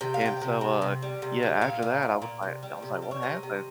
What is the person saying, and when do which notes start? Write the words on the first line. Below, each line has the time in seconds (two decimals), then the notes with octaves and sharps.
and so, uh, yeah, after that, I was like I was like, "What happened?"
0.01 C3 G5
0.14 F5
0.21 C3 G5
0.41 C3
0.61 C3
0.82 C3
1.02 G3
1.22 C3
1.43 G3
1.61 A#2 F5
1.82 A#2
2.03 A#2
2.22 A#2
2.42 C3
2.63 G3
2.82 C3
3.02 G3
3.11 C#5
3.22 C3 D#5
3.43 C3